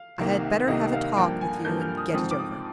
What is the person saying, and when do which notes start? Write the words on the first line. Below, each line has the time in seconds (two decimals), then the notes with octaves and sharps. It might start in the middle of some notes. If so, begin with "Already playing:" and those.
"I had better have a talk with you and get it over."
Already playing: F5
0.18 C2 C3 D#3 A#3
0.68 C2 C3 D#3 A#3 D#5
0.93 F5
1.16 G2 F3 A#3 G5
1.41 G#5
1.65 G2 F3 A#3 G6
1.81 F6
1.97 D#6
2.14 G#2 F3 C4 D#6
2.31 D6
2.39 D#6